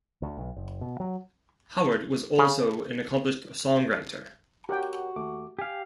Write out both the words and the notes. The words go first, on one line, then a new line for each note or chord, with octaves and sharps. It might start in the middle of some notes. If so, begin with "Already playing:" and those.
Howard was also an accomplished songwriter.
D2
B1
F#1
B2
F#3
C#3
F#4 G4 A#4 C#5 F#5 G5
D#2 A3 D6
G4 F5 G#5